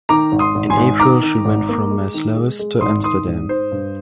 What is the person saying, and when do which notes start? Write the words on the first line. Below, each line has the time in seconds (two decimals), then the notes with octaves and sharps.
In April she went from Maassluis to Amsterdam.
0.09 D#3 A#5 D6
0.32 G#1
0.39 C6 D#6
0.55 G#1
0.70 G#5 C6
0.77 G#1
1.00 D#3 A#5 D6
1.23 D#3
1.45 G#1
1.69 A#3
1.91 G#3
2.14 D#3
2.35 G#3
2.59 G#3
2.81 G#1 C6 D#6
3.04 D#3 C6 D#6
3.27 G#1
3.49 G#2 C5
3.71 G2